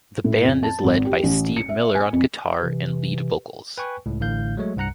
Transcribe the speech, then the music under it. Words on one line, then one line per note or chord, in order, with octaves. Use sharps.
The band is led by Steve Miller on guitar and lead vocals.
A2
F2
A5
G#1
G4
A1
C#7
E5
G#5
F2
C3 E3
B4 G5 G#5 C#6
C#2 A2
A1 A2 D3 F5 G6
F#3 G#3 A3 C#5
C2 G2 F#5 A#5 F#6 C#7